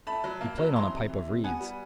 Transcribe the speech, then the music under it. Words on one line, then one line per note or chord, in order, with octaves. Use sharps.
He played on a pipe of reeds.
A3 A5 B5
F#3
A#3
F#3
E3 A#5 C6
C3
E3
C3
B3 F#5 G#5
G3